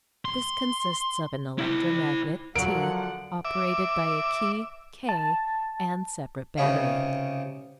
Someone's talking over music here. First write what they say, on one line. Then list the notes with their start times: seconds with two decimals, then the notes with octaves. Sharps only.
This consists of an electromagnet, T, operated by a key, K, and separate battery.
0.25 C6
1.58 E4 C5
2.56 D3 F3 F#3 A#4 F#5 D7
3.45 E5 D6
5.09 A5
6.58 C#2 C3 D#4 C#5 F5